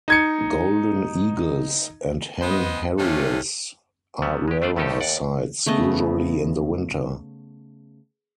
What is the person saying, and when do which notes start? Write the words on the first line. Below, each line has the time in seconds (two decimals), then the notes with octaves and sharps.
Golden eagles and hen harriers are rarer sights, usually in the winter.
0.08 D#4 G#6 C#7
2.42 B3 B4 C5 D#5
2.98 C3 D#3 A3 C#4 D4 F4
4.22 F#3 G3 B3
4.48 G#3 G4
4.62 A3 D4 F4 C5 D5
4.76 A2 A3 C#4 D#4 G4 A4
5.00 D#2 D5 F#5
5.66 C#3 A3 B3 D#5